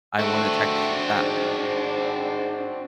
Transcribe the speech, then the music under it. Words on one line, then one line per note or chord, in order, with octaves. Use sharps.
I want a texture that way.
A3 C4 D4 F#4
G#2